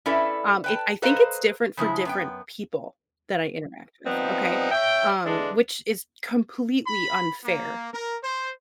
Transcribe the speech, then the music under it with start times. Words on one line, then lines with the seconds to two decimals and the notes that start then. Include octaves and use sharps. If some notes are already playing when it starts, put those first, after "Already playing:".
Um, it I think it's different for different people that I interact with, okay, um, which is completely unfair,
0.06 C#4 E4 A4 B4 D5 E5
0.64 B4 G5 A5
1.02 A4 B4 C5 D#5 F5 A#5
1.77 C#3 F3 G#3 E4
2.05 F#2 B3 G5
4.06 F3 G3 B3 C4 D#4
4.72 C#5 E5 G5
5.26 D3 E3 G#3 D4
6.86 B5
7.44 A#3
7.93 A#4
8.23 C5